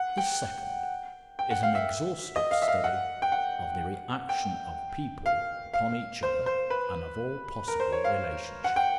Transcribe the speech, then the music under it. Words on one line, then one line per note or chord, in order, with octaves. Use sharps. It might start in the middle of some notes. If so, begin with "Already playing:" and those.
This second is an exhaustive study of the reaction of people upon each other and of all possible relationships.
Already playing: F#5
G5
G5
F#5
F5
E5
D#5
F5
E5
F5
F#5
G5
F#5
G5
F5
F5
C5
C5
B4
A#4
C5
C#5
F5
F#5
G5